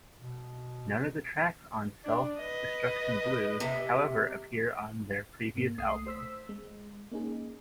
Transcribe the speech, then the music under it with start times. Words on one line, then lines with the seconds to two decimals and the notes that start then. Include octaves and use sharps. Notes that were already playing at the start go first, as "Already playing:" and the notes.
None of the tracks on "Self Destruction Blues", however, appear on their previous albums.
0.21 B2
2.04 D4
2.38 B4 D#5
3.60 C3
5.55 G#2 A#3
5.78 C2 A3 D#6 C7
6.07 C5 E6 B6
6.49 G#3
7.11 A#3 C#4 D#4 G#4